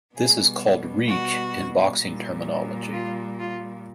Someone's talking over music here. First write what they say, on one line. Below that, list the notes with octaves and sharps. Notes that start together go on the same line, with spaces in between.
This is called reach in boxing terminology.
B2 G3 G#4
F#4
A#2 G3
F4
F4